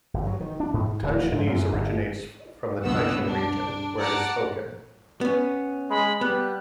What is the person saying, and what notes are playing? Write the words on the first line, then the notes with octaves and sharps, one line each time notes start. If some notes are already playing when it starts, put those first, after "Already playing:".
Taishanese originates from the Taishan region, where it is spoken.
G1
F#3
D#3
D4
G#2
D1
G#2
F#2
G1
C#2 G2 B2 B3 F#5 E6
D4
D5 F#5 A5 A#5
B3 C#4
G#3 B5
G3 B3 F#6